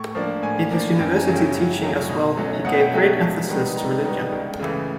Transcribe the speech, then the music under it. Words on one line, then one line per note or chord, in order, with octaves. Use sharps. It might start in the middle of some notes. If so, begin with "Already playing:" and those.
In his university teaching as well, he gave great emphasis to religion.
Already playing: A2 C#6
F3 A#3 D4
A2 G#5
F3 A#3 D4
F#2 G5
G#5
C#3 F#3 A3 C#4
G5
F#2
C#3 F#3 A3 C#4
B2
F#3 A3 C#4
B2 F#5
G5
F#3 A3 C#4 G5
G#2 A5
D#3 G3 B3 D#4
G#2 A#5
D#3 G3 B3 D#4
C#2
C#3 E3 A3